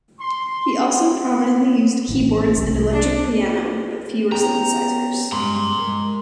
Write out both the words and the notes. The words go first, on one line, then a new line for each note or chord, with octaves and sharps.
He also prominently used keyboards and electric piano but fewer synthesizers.
C6
A1 D#3 E3
C2 G3 C#4
D4
B3 C#4 G4 A#5
G2 G#3 A#5 C6
G#3 A#4